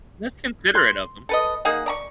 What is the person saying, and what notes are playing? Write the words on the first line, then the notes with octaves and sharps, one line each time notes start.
That's considerate of them.
C6
A4 B4 D#5
A#3 D#4 G#4 F#5
D5 A#5 C#6